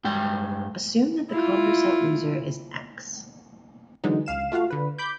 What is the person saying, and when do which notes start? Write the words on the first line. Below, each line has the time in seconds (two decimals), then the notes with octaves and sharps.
Assume that the Condorcet loser is X.
0.04 G2 G#3 G5
1.30 E4 F4
4.04 D3 E3 F#3 G#3 D#4
4.26 C#2 F5 E7
4.52 A3 F4 F#4 F5
4.70 D3 B4
4.98 B5 D6 G6